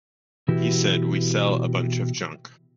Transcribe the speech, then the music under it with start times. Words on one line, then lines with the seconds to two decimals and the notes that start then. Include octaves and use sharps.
He said "We sell a bunch of junk".
0.48 B2 E3 E4 F#4 G4